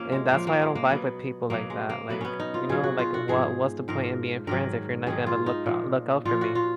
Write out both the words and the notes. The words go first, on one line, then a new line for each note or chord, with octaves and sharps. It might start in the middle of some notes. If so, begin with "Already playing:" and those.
and that's why I don't vibe with people like that. Like, you know, like, what what's the point in being friends if you're not gonna look f look out for me?
Already playing: F3 A#3 C#4
G#3
A#2 F3 A#3
A#3
G#3
A#3
B2 F#3 B3
B2 F#3 A#3
G#3
A#3
B2 F#3 B3
B3 C#4
D#4
F4
B2 F#3 G#4
F#4
F4
F#4
G#2 F3 G#4
G#2 F3 A#4
G#2 D#3 F#3 A#4
G#2 D#3 F#3 G#4
F4
D#4
A#2 F3
A#2 F3 F4
F#4
F4